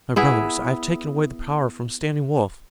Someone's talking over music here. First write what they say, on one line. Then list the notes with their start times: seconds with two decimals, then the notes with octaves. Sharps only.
My brothers, I have taken away the power from Standing Wolf.
0.16 B3 E4 G#4